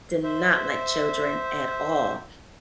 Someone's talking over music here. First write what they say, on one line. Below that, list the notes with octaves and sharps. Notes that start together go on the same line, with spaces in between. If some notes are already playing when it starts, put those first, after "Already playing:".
did not like children at all.
C5 E5